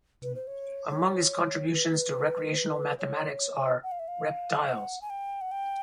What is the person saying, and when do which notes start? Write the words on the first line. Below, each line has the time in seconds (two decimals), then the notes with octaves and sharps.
Among his contributions to recreational mathematics are "Rep-tiles".
0.23 B4
0.35 C5
0.47 C#5
0.90 C#5
1.73 B4
2.52 C5
2.57 B4
2.99 C#5
3.83 F#5
3.91 F5
3.99 E5
4.08 F5
4.59 G5
4.67 F#5
5.01 G#5
5.10 G5
5.41 F#5
5.51 G5